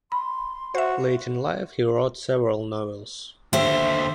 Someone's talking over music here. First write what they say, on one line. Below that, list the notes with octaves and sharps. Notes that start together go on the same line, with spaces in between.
Late in life, he wrote several novels.
B5 C6
F#4 C5 E5
D#2 D3 G4 C5 E5